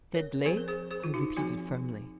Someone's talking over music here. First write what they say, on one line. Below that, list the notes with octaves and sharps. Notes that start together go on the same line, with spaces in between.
"Sidley," I repeated firmly.
A#4 C#5
F3 C4 G#4 C5
A#4
G#4 C5
G#4 C5
F4
D#4 F#4
F3 C4 D#4 F#4